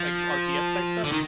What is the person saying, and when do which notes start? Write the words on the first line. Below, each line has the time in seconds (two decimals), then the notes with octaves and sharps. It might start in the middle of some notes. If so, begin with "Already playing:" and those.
like, RTS type stuff?
Already playing: F3
1.04 D3
1.12 D#3